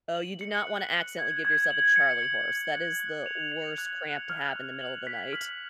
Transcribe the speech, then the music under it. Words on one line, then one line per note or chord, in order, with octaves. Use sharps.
Oh, you do not wanna accidentally give yourself a charley horse. That is the worst cramp to have in the middle of the night.
F#7
C#7
F#6
F#6
G#6
G#6
F#7
C#7
G#6
G#6
F#6
F#6
F7
C#7
F#6
F#6
F6
F6
F#7
B6
F6